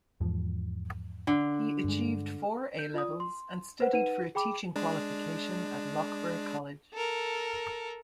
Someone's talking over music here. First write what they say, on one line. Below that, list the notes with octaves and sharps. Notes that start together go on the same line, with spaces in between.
He achieved four A levels and studied for a teaching qualification at Loughborough College.
E2 G#2 F3
D3
G2 G#3
G6
F4 D5 D#6
C6
B4 C5 F#5
D#4 B4 F#5 D#7
G#4 G5 B5 D6
G#3 D4
A4 A#4